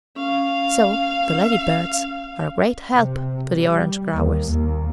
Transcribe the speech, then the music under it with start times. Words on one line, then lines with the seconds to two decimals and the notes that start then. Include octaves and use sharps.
So the lady-birds are a great help to the orange-growers.
0.16 C#4 F5
2.96 C3
3.53 G3
4.14 D#2
4.51 D#2